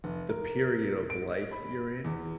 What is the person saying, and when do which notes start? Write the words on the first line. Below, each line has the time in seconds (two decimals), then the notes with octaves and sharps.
the period of life you're in.
0.04 F1
0.29 A#4
1.10 D7
1.51 B5
2.04 E2